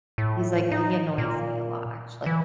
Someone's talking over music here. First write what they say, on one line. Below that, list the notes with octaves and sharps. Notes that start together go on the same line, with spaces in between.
He's like, uh he annoys me a lot, actually.
A2
D#4
A#2
E3